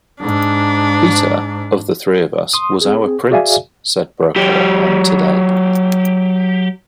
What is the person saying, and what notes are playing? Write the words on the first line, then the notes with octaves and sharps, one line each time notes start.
"Peter, of the three of us, was our prince," said Brokaw on "Today".
G#2 D4
C6 D#6
C4 G#4
F#4 G#4 D5 E5 F5 G#5
F#3 G4